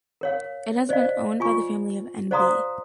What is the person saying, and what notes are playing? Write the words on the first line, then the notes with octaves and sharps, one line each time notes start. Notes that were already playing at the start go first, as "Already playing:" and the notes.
It has been owned by the family of N. B.
A#4 C#5 F5
C5 D5 D#5 F5
F4 G#5 C#6
C5 D5 F5 A#5 C6 D#6